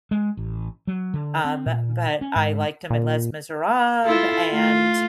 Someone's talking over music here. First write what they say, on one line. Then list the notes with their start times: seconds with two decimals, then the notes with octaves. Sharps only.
um, but I liked him in Les Misérables and,
0.11 G#3
0.37 A1
0.87 F#3
1.14 D3
1.45 C4
1.66 A#2
2.21 C#4
2.36 G#2
2.90 A#2
4.04 E4 F4 A4
4.50 A3 F4